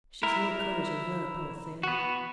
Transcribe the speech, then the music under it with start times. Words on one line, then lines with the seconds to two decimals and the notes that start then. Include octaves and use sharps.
She's no courage in her, poor thing!'
0.23 E4 A#4
1.83 B3 F#4